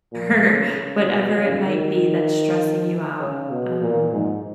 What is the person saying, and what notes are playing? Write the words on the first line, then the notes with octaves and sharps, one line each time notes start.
or whatever it might be that's stressing you out." Um
A#2
C#3
C#3
B2
C#3
D#3
C#3
B2
A#2
G#2